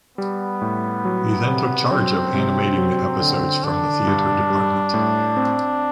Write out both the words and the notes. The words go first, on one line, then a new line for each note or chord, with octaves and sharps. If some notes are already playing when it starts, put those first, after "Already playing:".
He then took charge of animating the episodes from the theater department.
G3 B3
A2
F#3
C3
F#3 C4
C3
F#3
D3
D3 D4
G2
G3
A2
C4